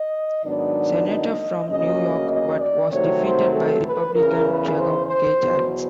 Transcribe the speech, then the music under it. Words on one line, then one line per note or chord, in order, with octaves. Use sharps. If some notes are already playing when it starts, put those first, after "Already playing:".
Senator from New York, but was defeated by Republican Jacob K. Javits.
Already playing: D#5
G#2 D#3 F#3 B3 D4 D5
D#5
D2 C#3 F#3 A#3 C#4 D#5
D#5
D5
C3 D#3 F#3 A3 C4 C#5
C5
A4
B4
E2 C#3 E3 A#4
B4
C5
C5
E2 B2 F#3